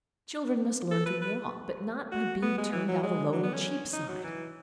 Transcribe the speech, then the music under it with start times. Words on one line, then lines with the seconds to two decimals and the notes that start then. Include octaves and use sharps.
Children must learn to walk, but not by being turned out alone in Cheapside.
0.91 A4
1.06 B4
1.22 B4
2.12 F#4
2.42 B3
2.58 G#3
2.72 E3
2.88 F#3
3.03 G#3
3.33 F#3
3.43 B3
3.53 C#4
3.93 D#4
4.08 F#3
4.24 E3